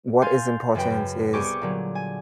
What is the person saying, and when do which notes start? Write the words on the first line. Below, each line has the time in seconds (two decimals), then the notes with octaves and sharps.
what is important is
0.22 F5 G#5 C6 G6 A6 C7
0.75 F#2 C#3 F#3 B4 G5
0.90 F#2
1.33 C2 B3 G4 G#4 C#6 D6
1.62 A#2 D3 F#3
1.95 G#5